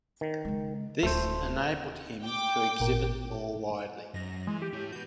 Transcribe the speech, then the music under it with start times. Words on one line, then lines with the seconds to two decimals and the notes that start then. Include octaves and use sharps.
This enabled him to exhibit more widely.
0.21 D#3
0.45 C#3 G#3
1.03 D1 A3 C5
2.22 G5 D6
2.80 G#1 A#2 A#4
4.14 F#2 A#6
4.47 E3 G#3
4.62 G4
4.73 E4 C#5
4.92 F#4 B4 G6